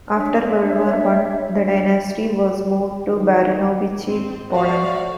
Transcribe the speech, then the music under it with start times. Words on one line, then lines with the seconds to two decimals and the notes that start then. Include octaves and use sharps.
After World War One, the dynasty was moved to Baranovichi, Poland.
0.13 D4 C#5 E5
3.09 D#3
4.08 G#1 C4
4.52 A3 F#4 C#5 D5 F5